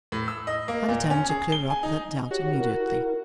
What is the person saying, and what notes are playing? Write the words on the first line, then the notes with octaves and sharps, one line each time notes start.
I determined to clear up that doubt immediately.
A2
E6
D#5
A#3
A#2
C#4
G#4
G7
G#5
D#4
F#4 G4 C#5
E4 A#4